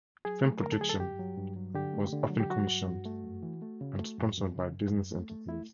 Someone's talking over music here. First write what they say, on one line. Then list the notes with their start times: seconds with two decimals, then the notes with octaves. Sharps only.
Film production was often commissioned and sponsored by business entities.
0.25 F#3 G#4
0.44 A3
0.63 D3 A#4
0.72 A4
0.81 F#3 G#4
0.89 A4
1.00 G2 G4
1.19 F#3
1.37 G2
1.56 F#3
1.75 D3 G4
1.94 A3
2.13 D3
2.30 F#3
2.40 G4
2.50 F#3 F#4
2.68 G2
2.87 G2
3.06 A3
3.24 F#2
3.43 E3
3.62 A3
3.81 C#3
4.00 A3
4.18 F#2
4.37 F#2
4.56 C#3
4.74 F#2
4.92 F#2
5.11 A3
5.30 A3
5.48 A3 E4